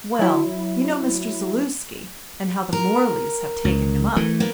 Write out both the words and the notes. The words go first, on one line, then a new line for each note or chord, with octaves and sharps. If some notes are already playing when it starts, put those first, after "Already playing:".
"Well, you know Mr. Zaluski, and how the Morleys have taken him up?"
F#3 E4
A#4
C#2
E3 A3
A#3 B3